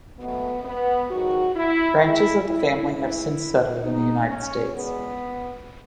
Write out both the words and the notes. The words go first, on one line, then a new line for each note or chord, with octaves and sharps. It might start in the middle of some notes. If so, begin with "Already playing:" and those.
Branches of the family have since settled in the United States.
B2 F#3 A3 B3
B3
G#2 D#3 F#3 F#4
E4
A2 G#3 E4
E4
A2 E3 G#3 E4
B2 G#3 D#4
C#4
E2 B2 G#3 B3